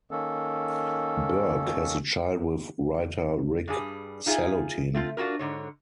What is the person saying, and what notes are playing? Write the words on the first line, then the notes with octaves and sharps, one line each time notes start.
Burke has a child with writer Rick Salutin.
D#3 A#3 C#4 A4
G2 G3 G#4
D#4 F4 G#4 E5 G#5
A3 C4 F4
D4 F4 F#4 G#4 A#4
G#2 D3 C#5